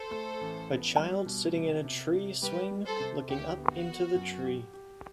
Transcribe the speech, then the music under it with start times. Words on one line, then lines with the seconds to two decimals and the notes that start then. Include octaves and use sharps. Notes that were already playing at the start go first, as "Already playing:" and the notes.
A child sitting in a tree swing looking up into the tree.
Already playing: A4 C5
0.11 A3
0.41 A1
0.69 B3
0.98 G3
1.26 B2
1.56 C3
1.84 C3
2.14 C3
2.42 G3 G4 B4
2.71 G3
2.86 A4 C5
3.00 C3
3.29 D2 G4
3.57 B3
3.72 F#4
3.87 B3
4.15 F#2
4.45 G4
4.74 G4